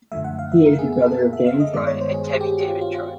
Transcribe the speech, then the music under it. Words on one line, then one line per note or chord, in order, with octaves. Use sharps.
He is the brother of Dan Troy and Tevi David Troy.
F#2 D3 F3 A3 E5
F#5
F5
E5
A#4
G#4
G#4
A4
A#4
E5
F5
D#5
G2 D#3 G#3 B3 D5
C#5
C5
G#4
G#4
G4
F#4
F4
F4
F4